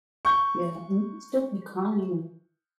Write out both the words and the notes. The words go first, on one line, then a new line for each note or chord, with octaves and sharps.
Yeah, and you can still be kind
C#6 G6